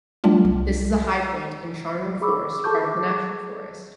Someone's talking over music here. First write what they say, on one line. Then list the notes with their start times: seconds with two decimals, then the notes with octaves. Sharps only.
This is a high point in Charnwood Forest, part of the National Forest.
0.24 F#3 G3 A3 D4 F4
0.45 C2
2.21 G#4 B5 C#6 D6 E6
2.64 G#4 A4 A5 C#6 D6 G6